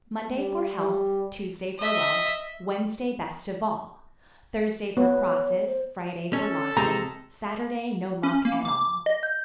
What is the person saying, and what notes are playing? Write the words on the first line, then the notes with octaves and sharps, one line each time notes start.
Monday for health, Tuesday for wealth, Wednesday best of all, Thursday for crosses, Friday for losses, Saturday no luck at all.
G3
G3
D#5 E5
B3 C#5
C5
C#4 A4
C3 G#3 A#5
C#4
A#3
D6
D#5
G6